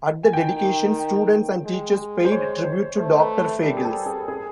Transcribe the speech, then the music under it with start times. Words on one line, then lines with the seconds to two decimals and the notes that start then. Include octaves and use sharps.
At the dedication, students and teachers paid tribute to Doctor Fagles.
0.23 G#5
0.33 D#3 G5
1.65 G#3
2.25 C5
2.31 C#5
2.64 C5
2.97 A3 C5
3.20 B4
3.41 B4
3.62 G3 A#4
3.77 G#4
3.84 A4
4.06 G#4
4.28 G#4